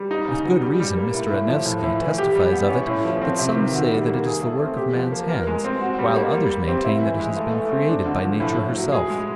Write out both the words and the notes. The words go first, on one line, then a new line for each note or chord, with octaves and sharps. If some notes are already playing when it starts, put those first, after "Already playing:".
With good reason Mr. Anaevsky testifies of it that some say that it is the work of man's hands, while others maintain that it has been created by nature herself.
Already playing: G3
D#4
C#3
F#3
G3
G3
A#3
A2
A2
F3
A2
A2
E3
G4
G3
B3
C#4
A2
F3
C4
C3
D#3
F#4
G3
A#3
G#4
A3
C4
G4
F3
A#3
A#4
G#3
C4
F#4
G3
A#3
G3
G3
C4
E4
E3
G#3
A3
A3
C4
D4
D3
F3
A2
A2
F#3
G#4
G#3